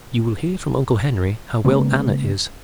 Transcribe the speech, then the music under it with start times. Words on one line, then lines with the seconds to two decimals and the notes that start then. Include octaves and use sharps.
'You will hear from uncle Henry how well Anna is.
1.65 C#3 G#3 A#3 B3